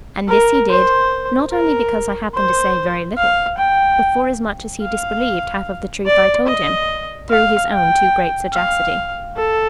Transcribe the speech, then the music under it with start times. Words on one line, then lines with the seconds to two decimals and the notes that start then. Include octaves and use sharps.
And this he did, not only because I happened to say very little, but forasmuch as he disbelieved half of the truth I told him, through his own too great sagacity.
0.28 A#4
0.69 C5
1.52 A#4
2.35 C5
3.17 F5
3.58 G5
4.83 F5
6.06 D5
6.47 D#5
7.30 F5
7.72 G5
8.53 F5
9.36 A4